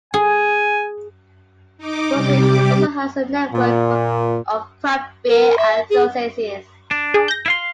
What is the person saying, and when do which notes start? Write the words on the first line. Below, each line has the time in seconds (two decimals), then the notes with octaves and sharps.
Muncie also has a network of craft beer enthusiasts.
0.14 G#4 G#5
1.78 D#4 D6
2.11 C3 G3 G4 D6
3.53 A#2
5.28 A#4
5.58 E5
5.90 G#4
6.91 D4
7.14 G#4
7.28 G6 A#6
7.46 E4 F5 C6